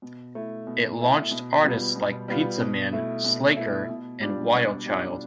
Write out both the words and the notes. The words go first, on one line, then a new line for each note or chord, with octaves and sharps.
It launched artists like Pizzaman, Slacker, and Wildchild.
B2
A3 E4
B2
A3 E4
B2
G3 B3 F4
B2
G3 B3 F4
B2
A3 E4
B2
A3 E4
B2
G3 D4 F4
B2
G3 D4 F4